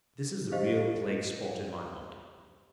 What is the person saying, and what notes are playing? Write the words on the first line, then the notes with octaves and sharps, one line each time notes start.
This is the real plague-spot in my heart.
G4 C5 D#5 F5